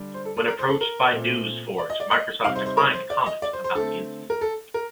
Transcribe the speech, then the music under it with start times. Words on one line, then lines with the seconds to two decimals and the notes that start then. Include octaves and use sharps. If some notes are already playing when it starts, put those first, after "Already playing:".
When approached by NewsForge, Microsoft declined to comment about the incident.
Already playing: D3 G3 D4
0.14 C5
0.25 A4
0.37 A4
0.48 A#4
0.59 C5
0.69 A4
0.81 A#4
1.13 A#2 A3 C4
1.78 D5
1.90 D#5
2.00 D5
2.11 D#5
2.44 C3 G3 C4 D#4 F5
2.56 C5
2.66 C5
2.77 A#4
2.93 C5
3.10 D5
3.26 D#5
3.42 D5
3.53 C5
3.64 C5
3.75 D3 A3 C4 A4
4.30 A#4
4.41 A4
4.74 A#4